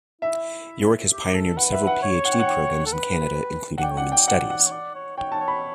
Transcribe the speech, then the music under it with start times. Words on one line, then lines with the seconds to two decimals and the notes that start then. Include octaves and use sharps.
York has pioneered several PhD programs in Canada, including women's studies.
0.22 E4 E5
1.12 G4
1.35 A4
1.57 B4 F#5
1.72 E5
1.87 F#5
2.02 C#5
2.25 F#5
2.32 G5
2.40 F#5
2.47 G5
2.86 A4
2.93 B4
3.78 F#5
3.82 D5 G5
3.91 C#5
3.97 D5 F#5
4.12 G5
4.28 F#5
4.50 F#5
4.66 C#5
4.72 D5
4.95 C#5
5.17 C#5 G5
5.32 A5
5.40 C#5
5.48 B5